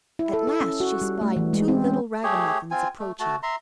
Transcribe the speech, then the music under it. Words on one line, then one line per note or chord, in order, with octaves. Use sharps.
At last she spied two little ragamuffins approaching.
E4
A4
A4
C#4
F#4
G3
A3
E3
G#3
C4
C#4
A3 G4 G#4 C#5
C4 F4 G#5
A3
A3 F#4 A5
E5 A#5 C6